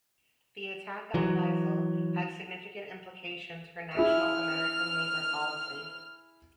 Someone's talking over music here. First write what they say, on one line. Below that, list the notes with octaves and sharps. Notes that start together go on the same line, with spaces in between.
The attack on Riesel had significant implications for national American labor policy.
E3 F#3
E4 G#4 E5 F6